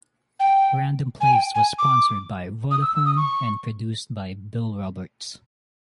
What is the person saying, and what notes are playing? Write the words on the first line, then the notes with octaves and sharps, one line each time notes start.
Random Place was sponsored by Vodafone and produced by Bill Roberts.
G5
G#5
G5
G#5
D6
D#6
E6
E6
D#6
C#6